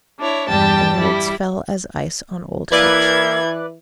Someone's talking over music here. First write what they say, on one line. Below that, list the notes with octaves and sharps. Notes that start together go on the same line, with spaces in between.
The words fell as ice on old Ketch.
D4 E4 C#5
E2 G2 G3 G5 A5
G3 E4
E3 A#3 E4 B4 D5 F#6 G#6